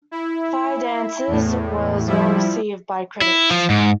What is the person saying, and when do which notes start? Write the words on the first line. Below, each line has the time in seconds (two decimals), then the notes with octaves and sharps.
"Fire Dances" was well received by critics.
0.11 E4
1.27 E2 A2
2.07 F3 G3 E4
3.21 E4
3.51 F3
3.70 G#2